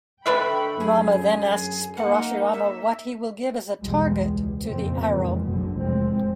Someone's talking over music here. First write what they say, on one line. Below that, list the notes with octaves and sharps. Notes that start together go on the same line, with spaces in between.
Rama then asks Parashurama what he will give as a target to the arrow.
D3 A3 D4 B4 E5 G5 B5 C#6
F#2 G#4
A#3 D#4 F#5
C#5 E5
B1 E2 B2 G3 G#3
C#2
F2 A#2 C#3 A#3 C4
F2 A#2 C#3 E3 G#3
F#1 B1 D3 F#3
F1 E2 A2 G#3 C4